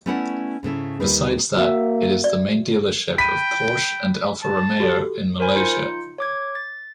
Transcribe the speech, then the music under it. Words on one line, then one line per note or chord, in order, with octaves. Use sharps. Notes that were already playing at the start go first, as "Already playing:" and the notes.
Besides that, it is the main dealership of Porsche and Alfa Romeo in Malaysia.
A3 B3 C#4 E4 D5 F#5
G#2 C#3 A3 E4
D#2 G3 A#3 D#4 B4
A#3 F#4 E5
D5
G5 B5 B6 D#7
A5
F#4 G4 A4
A#4 C5 G#5 B5
D#4 F4 G6 C#7
C#5 D6 G#6
A6